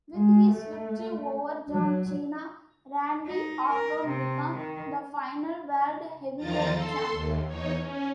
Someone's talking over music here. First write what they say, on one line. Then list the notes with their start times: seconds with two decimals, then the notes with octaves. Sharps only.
With his victory over John Cena, Randy Orton became the final World Heavyweight Champion.
0.15 G#3
0.51 A3
1.70 F#3
3.26 D#4
3.69 A#4
4.07 C3
4.57 D#3
6.37 E2 D#3 F3 F4 A#5 A6
6.70 A4 C6
7.12 D#2
7.47 E2 D#4 C#5
7.79 C#4